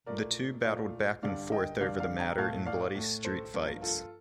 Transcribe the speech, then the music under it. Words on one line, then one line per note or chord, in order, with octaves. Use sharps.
The two battled back and forth over the matter in bloody street fights.
A#2 A3 A#4 D5
A#2 A3 D5 F5
G2 D3 G3 D5 F5
D#5 G5
G2 D3 G3 D5 F5
D5 F5
G5 A#5
A2 A3 F5 A5
D5 F5
A2 A3
A4 C5
G2 F3 A#3
F4 A4